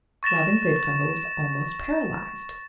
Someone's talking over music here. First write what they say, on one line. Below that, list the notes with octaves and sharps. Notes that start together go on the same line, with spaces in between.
Robin Goodfellow was almost paralyzed.
C#6 A6 A#6 E7